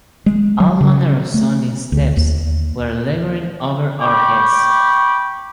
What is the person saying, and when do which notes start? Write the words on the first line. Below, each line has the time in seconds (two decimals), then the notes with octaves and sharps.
All manner of sounding steps were labouring over our heads.
0.26 G#3
0.60 F#3
0.81 C#3
1.34 A3
1.92 D2
2.17 D#2
4.01 G5 B5 C#6 D6